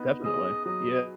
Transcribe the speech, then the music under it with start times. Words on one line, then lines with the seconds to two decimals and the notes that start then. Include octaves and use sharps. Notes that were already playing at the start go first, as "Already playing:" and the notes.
Definitely. Yeah,
Already playing: B3 D#4
0.24 G#4 D#5
0.65 F#3 D#5